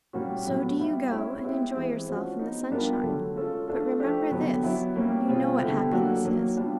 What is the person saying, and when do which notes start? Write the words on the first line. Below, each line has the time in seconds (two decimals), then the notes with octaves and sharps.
So do you go, and enjoy yourself in the sunshine; but remember this--You know what happiness is.
0.13 A#2 G3 A#3 C#4 F#4
0.45 A2 F#3 B3
0.79 G3 B3 E4
1.10 G#3 C#4 E4 G#4
1.42 G#3 B3 E4 G4
1.74 E3 G#3 C4 E4 G#4
2.06 F3 G#3 C#4 F#4
2.39 G#3 B3 D#4
2.70 G3 B3 D4 F4 A#4
3.03 D3 F#3 A3
3.36 G#3 C#4 F4 A4
3.68 A3 D4 F4 A4
4.00 F3 A3 D4 G4
4.31 D3 F#3 B3 D4 G4
4.64 F#3 B3 E4
4.96 G3 A#3 C#4
5.28 B2 G3 C4 F4 G#4
5.59 D3 G3 B3 E4 G4
5.92 F#3 A#3 D4 F#4 A4
6.24 D#3 F#3 A#3
6.57 G3 B3 D4 F4